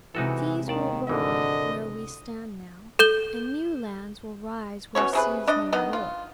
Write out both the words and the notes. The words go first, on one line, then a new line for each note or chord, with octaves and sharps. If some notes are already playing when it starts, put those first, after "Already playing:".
Seas will roll where we stand now, and new lands will rise where seas now roll.
C3 E3 G#3 D#4 E4 F#4 A4
D#2 D#3 D5 A5
G#1 D3 E3 D#5
A4 G6 G7
B2 C#4 C#5
C3 G#4 B4
D4 D#5
D#3 B3 D#5
F4